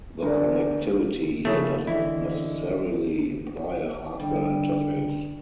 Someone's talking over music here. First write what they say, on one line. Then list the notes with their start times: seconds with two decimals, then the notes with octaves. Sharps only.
The connectivity here does not necessarily imply a hardware interface.
0.22 D2 A#4 D5
1.45 C#3 F3 A3
1.87 D3 E3 E4 D#5
4.20 D3 G3